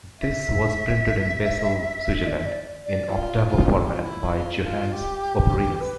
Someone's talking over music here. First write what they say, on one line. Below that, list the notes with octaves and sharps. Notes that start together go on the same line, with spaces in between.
This was printed in Basel, Switzerland in octavo format by Johannes Oporinus.
E5
D5
E5
D5
D5
E4
F4
A4
G4
F4
E4
F4
F4
G4
B4